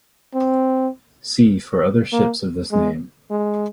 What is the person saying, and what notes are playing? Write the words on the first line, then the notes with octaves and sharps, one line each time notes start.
See for other ships of this name.
C4
A#3
G#3
G#3